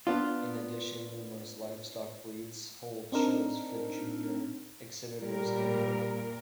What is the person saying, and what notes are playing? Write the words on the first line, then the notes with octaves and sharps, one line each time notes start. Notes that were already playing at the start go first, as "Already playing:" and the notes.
In addition numerous livestock breeds hold shows for junior exhibitors annually.
B3 D4 F4
C4 D4 D#4 A#4
A#2 G3 A#4